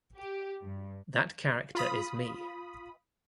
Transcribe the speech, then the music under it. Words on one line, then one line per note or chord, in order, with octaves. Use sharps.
That character is me.
G4
G2
F4 B5 D#6